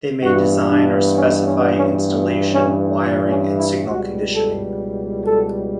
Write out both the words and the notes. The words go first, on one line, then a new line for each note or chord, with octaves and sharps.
They may design or specify installation, wiring and signal conditioning.
G2 E3 B3 F#4
D4
C#4
C#4
C#4
B3
C#4
C#4
E4
C#2 B2 G3 F#4
A4
A4